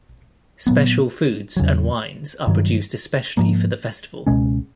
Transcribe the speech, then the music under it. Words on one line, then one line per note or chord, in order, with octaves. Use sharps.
Special foods and wines are produced especially for the festival.
A#2 F#3 B3
E2 C#3 F#3
G2 D#3 F#3
G#2 F3 A#3
C#2 B2 G#3 C#4